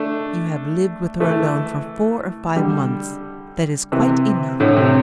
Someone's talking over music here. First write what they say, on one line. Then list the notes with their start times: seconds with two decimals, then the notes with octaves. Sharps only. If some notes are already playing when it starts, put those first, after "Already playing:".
You have lived with her alone for four or five months; that is quite enough.
Already playing: A3 D4
1.20 E3 A3
2.56 D3 G3
3.92 C3 E3
4.60 A2 D3
4.77 C3